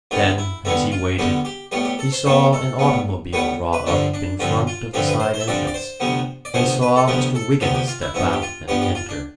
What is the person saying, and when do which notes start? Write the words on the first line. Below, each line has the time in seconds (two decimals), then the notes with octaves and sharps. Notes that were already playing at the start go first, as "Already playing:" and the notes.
Then, as he waited, he saw an automobile draw up in front of the side entrance, and saw Mr. Wygant step out and enter.
0.11 E2 D3 G3 B3 F4
0.38 E4
0.65 E2 D3 G3 B3 E4
0.92 F4
1.18 E2 D3 G3 B3 G4
1.45 G4
1.72 A2 G3 B3 G4
1.85 G4
1.99 A4
2.12 C5
2.25 A2 G3 B3 C5
2.53 A4
2.79 A2 G3 B3
3.33 A2 G3 B3 B4
3.73 B4
3.86 G2 D3 F3 C4 D4
4.14 D4
4.40 G2 D3 F3 C4 F4
4.67 F4
4.93 G2 D3 F3 C4 G4
5.07 B4
5.20 C5
5.34 C5
5.40 E5
5.47 G2 D3 F3 C4 D5
5.67 D5
5.74 C5
6.00 D2 C3 F3 B3
6.45 D5
6.54 D2 C3 F3 B3 C5
6.82 B4
6.96 A4
7.08 D2 C3 F3 B3 G4
7.35 A4
7.61 D2 C3 F3 B3 G4
7.75 G4
7.87 F4
8.01 E4
8.14 G2 F3 B3 E4
8.33 G4
8.42 F4
8.68 G2 F3 B3 G4
8.82 G4
8.95 F4
9.09 D4